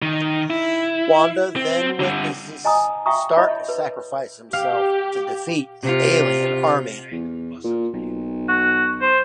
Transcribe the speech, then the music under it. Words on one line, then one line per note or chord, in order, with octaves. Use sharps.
Wanda then witnesses Stark sacrifice himself to defeat the alien army.
D#3
E4
C4
D3 G3
D#5 G#5 A#5 D#6
E5 F5 G5 A#5 C#6 D#6
E4 C#5 D#5 E5 B5
B4
G4 F5
C3 F4
E2
A#2
B1
F#4
C5